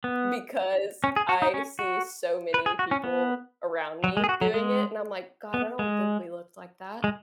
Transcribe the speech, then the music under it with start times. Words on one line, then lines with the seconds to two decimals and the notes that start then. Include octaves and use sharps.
because I see so many people around me doing it, and I'm like, "God, I don't think we looked like that."
0.04 B3
1.04 C#4
1.16 G#4
1.29 F#4
1.42 D#4
1.54 C#4
1.79 F#4
2.54 B4
2.66 G#4
2.79 F#4
2.91 C#4
3.04 B3
4.04 F#3
4.17 G#3
4.24 G#4
4.29 F#4
4.41 F#3
4.54 G#3
5.54 B3
5.79 G#3
7.04 G#3